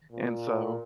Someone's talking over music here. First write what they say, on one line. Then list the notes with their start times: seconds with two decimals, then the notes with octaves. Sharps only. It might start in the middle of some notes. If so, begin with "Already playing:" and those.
and so
0.12 A#2